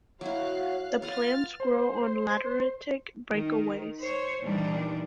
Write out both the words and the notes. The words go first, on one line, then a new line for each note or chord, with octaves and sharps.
The plants grow on lateritic breakaways.
F#3 E4 F#4 C#5 F5 F#6
F4 B4 F5 F#5 F6 A6
C5
D#3
C5 C#5
A#2 D#3 E3 G3 D4